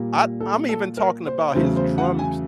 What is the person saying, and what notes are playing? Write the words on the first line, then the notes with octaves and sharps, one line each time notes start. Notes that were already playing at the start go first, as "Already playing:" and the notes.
I I'm even talking about his drums
Already playing: A#2 G3 A#3
A4
A4
A#4
C5
E2 C#3 F#3 A3 C5
C5
F#5
G#5